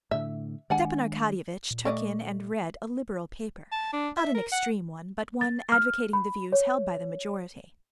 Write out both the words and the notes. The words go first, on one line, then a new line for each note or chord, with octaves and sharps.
Stepan Arkadyevitch took in and read a liberal paper, not an extreme one, but one advocating the views held by the majority.
A2 D3 E5
D#3 G#3 D4 D5 F#5 G#5
A#2
A3 D5 D#5
A5
D4
E5
A#4
F#5
A6
F6
B5
C#5